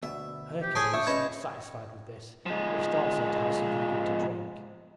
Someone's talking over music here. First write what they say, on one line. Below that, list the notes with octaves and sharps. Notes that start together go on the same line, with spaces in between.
But Hercules, not satisfied with this, wished also to have something good to drink.
D2 B2 E5
G4
G#4 A4 C5 C#5 A5 D#6 G6
D4 E5 C#6
C2 C#4 B4 C#5 D#5 B5 G#6
F3 G#3